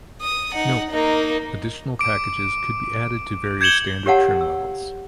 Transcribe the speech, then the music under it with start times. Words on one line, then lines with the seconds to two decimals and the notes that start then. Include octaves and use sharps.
Note: Additional packages could be added to various standard trim levels.
0.21 D#6
0.54 D#4 F#5
0.90 A#3 D#4
1.99 D6 D7
3.61 G6 G#6 C#7 E7 F#7 G7
4.06 G4 A#4 C#5 F5 F#5 A5
4.41 E6